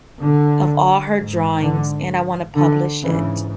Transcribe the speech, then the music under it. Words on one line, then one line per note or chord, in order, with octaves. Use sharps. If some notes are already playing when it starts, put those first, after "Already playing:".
of all her drawings, and I wanna publish it
D3
G#2
D3
D3
G#2 C#3 E3